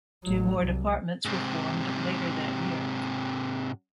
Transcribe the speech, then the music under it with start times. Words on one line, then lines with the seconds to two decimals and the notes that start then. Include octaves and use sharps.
Two more departments were formed later that year.
0.24 A1 F#3
0.61 C2
1.25 G#2 C3